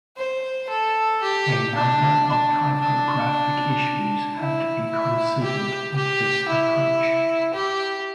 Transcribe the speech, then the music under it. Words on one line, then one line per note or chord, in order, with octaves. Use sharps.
A number of typographic issues had to be considered with this approach.
C5
A4
G4
D4
D4
D4
E4
E4
G4
G4
E4
G4